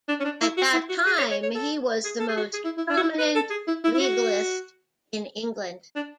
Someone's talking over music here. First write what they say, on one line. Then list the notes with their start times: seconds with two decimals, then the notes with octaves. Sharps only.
At that time, he was the most prominent legalist in England.
0.08 D4
0.20 C#4
0.24 D4
0.42 E4
0.57 F#4
0.73 E4
0.89 F#4
1.06 G#4
1.18 C#5
1.31 C#5
1.43 C#5
1.55 A4
2.05 G#4
2.20 A4
2.29 G#4
2.37 F#4
2.53 G#4
2.65 E4
2.77 E4
2.90 D4
2.97 F#4
3.02 E4
3.18 B4
3.35 A4
3.50 G#4
3.68 E4
3.84 E4
3.94 E4
4.00 F#4
5.96 D4